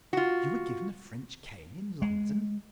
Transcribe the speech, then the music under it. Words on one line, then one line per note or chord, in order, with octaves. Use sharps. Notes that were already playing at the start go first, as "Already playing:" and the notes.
"You were given a French cane in London!"
F4 F#4
G#3